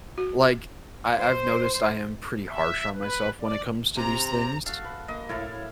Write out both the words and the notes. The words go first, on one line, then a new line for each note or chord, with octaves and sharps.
Like, I I've noticed I am pretty harsh on myself when it comes to these things.
F#4
C5
E5
B4
D5
C3 A#5
F#4 A4 F5 A5
B4
A#3 D#5
A2 E4 C#5 F5 A5